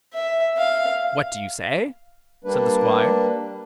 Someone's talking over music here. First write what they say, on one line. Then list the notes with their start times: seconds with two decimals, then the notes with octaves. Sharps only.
'What do you say?' said the Squire.
0.13 E5
0.58 F5
2.44 G3 A#3 D4 B4